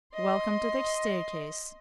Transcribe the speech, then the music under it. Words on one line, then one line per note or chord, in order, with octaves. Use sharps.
Welcome to the staircase.
D#5 C6